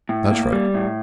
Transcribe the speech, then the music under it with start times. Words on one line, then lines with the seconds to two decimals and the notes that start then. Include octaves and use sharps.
That's right.
0.09 A2
0.31 A#3
0.52 G3
0.74 A2